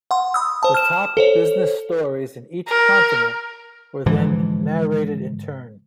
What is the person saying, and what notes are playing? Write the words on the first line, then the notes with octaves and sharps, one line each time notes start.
The top business stories in each continent were then narrated in turn.
F#5 C6
B5 D#6 E6
C5 A5
F6 E7
A4 C5 C#5
A#4
G#2 D3 E3 F3